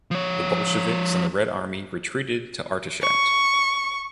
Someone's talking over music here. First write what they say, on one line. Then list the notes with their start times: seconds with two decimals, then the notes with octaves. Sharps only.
The Bolsheviks and the Red Army retreated to Artashat.
0.11 F3 C#5
3.01 C#6